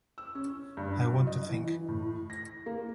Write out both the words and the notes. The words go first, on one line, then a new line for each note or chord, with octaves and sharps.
I want to think.
E6
C#4
G2
F#3
D#5
E3
A2
A#6
A#3